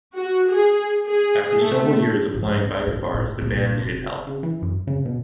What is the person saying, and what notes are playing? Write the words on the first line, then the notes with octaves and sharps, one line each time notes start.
After several years of playing biker bars the band needed help.
F#4
G#4
G#4
A3
G#2 F3
C#2
A2
A2
C2 A#2
F1
C#3
E3
F#2
C#3
B2